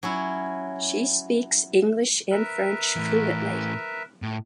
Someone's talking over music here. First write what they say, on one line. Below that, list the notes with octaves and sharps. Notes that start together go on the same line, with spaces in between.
She speaks English and French fluently.
F#3 C#4 E4
A#4 B4 E5
A2 E3
A2